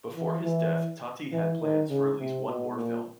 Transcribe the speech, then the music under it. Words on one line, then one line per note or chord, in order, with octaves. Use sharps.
Before his death Tati had plans for at least one more film.
E3
E3
E3
D#3
C#3
C3
B2
A#2